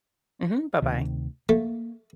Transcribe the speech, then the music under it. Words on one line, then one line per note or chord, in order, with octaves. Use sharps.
Mhm, bye-bye.
D2 C3 D#3
A3 A#3